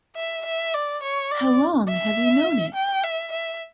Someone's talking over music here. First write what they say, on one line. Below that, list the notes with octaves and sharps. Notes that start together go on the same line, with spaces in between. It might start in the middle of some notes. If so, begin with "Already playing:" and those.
How long have you known it?
E5
E5
D5
C#5
D5
E5
G5
E5
E5